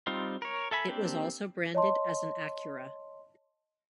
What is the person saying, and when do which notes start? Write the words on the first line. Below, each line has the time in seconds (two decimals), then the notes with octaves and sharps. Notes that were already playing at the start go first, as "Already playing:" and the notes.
It was also branded as an Acura.
0.07 G3 C4 D#4 F4
0.42 A#4 C#5
0.71 A4 E5 G#5 B5
0.88 A#3 C4 D4 G4
1.75 C#5 D#5 A5 C6